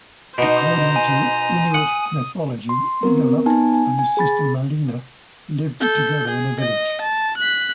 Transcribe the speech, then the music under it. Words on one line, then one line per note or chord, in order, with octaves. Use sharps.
According to Inuit mythology, Igaluk and his sister Malina lived together in a village.
B2 D#4 C5 A#5
G#5
F#5 D#6
C6
B3 C4 A#4
B3 D#4 G#5 A5
G#5
G#5
G#4 B5 A6
A4 G6
G#4
D#5
A5
F#6 B6